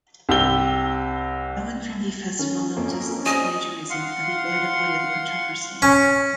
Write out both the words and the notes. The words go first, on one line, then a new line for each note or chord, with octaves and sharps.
No one from the festival noticed this plagiarism and the band avoided the controversy.
C2 G4 E6 G7
D#3 C#4
F2 A#3
D#5 G#5
F5 F#5 C6
C#4